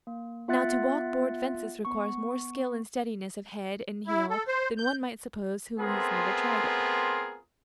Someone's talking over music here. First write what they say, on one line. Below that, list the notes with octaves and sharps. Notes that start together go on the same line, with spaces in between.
Now, to "walk" board fences requires more skill and steadiness of head and heel than one might suppose who has never tried it.
A#3
B3 F4 E5 F#5 F#6 A6
B3 C#6
E4
A4
C5
G6
A3 B3 C4 F4 G#4 A#4